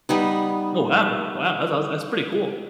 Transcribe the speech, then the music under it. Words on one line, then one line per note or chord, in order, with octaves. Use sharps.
Oh wow, wow, that's awes that's pretty cool.
G3 B3 D#4